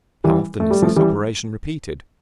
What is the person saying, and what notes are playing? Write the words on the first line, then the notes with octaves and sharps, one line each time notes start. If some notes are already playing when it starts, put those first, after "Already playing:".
How often is this operation repeated?
E3 G3
A3
G3
F3 A3
E3 G3